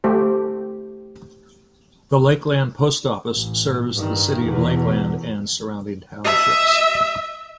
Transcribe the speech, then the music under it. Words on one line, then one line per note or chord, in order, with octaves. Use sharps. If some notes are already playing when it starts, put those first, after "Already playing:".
The Lakeland Post Office serves the city of Lakeland and surrounding townships.
A3 G4 C5
A1
G2 D#3
E2 B2
D#5 E5